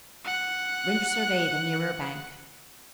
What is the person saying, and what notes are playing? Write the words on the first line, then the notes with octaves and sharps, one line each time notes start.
Rynch surveyed the nearer bank.
F#5 F#6